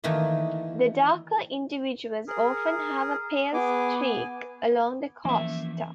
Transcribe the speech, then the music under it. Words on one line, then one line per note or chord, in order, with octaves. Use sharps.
The darker individuals often have a pale streak along the costa.
D#3 E3 A3 A#3
G#4 A#4
B3 G#4 G#5 D6
G#5
E3 F3 A#3 C#4 E5